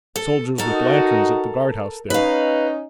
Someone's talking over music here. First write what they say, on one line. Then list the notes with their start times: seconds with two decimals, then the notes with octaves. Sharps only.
Soldiers with lanterns, at the guard-house there.
0.16 A4
0.58 D#4 F#4 A4 A#4
2.10 C#4 D#4 B4 F5